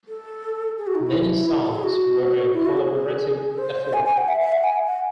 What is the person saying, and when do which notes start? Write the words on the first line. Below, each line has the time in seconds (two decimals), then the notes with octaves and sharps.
Many songs were a collaborative effort.
0.08 A4
0.78 G#4
0.87 F#4
0.95 D#4
1.04 E4
1.66 A4
1.75 G#4
1.83 F#4
2.53 E4
2.65 F#4
2.77 G#4
3.54 A4
3.58 C5
3.93 G#5
4.06 G#5
4.17 F#5
4.28 E5
4.40 E5
4.52 F#5
4.64 G#5
4.87 F#5